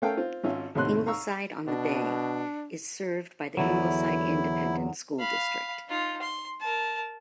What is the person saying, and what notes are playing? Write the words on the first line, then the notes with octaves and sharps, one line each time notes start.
Ingleside on the Bay is served by the Ingleside Independent School District.
A3 C#4 A4 A#4 F5 G5
C4 F4
G#1 C#4 F4 E5
D#2 A2 C3 C#5 C6 F#6
F5 A#5 C#6 E6
B2 D4
E2 D3 F#3 E4
F5 B5
D#4 F4
C6
A#4 A5